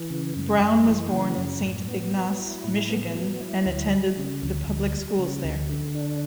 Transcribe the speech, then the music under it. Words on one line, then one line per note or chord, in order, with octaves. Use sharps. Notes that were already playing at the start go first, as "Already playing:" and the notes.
Brown was born in Saint Ignace, Michigan and attended the public schools there.
Already playing: E3
C#3
F#2
F#2
E3
C#3
F#2
A2
B3
F#3
E4
A2
B3
F#3
E4
D2
G3
C#3
D2
D2
G3
C#3
D2
D3
D4